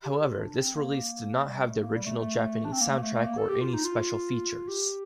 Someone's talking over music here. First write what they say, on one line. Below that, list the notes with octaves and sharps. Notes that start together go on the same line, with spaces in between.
However, this release did not have the original Japanese soundtrack or any special features.
G4
A4
G4
F4
D4
C4
A#3
G3
A3
A#3
G3
A3
A3
D4
C4
A#3
A3
A#3
A3
A3
A#3
A4
G4
F4
D#4
F4
G4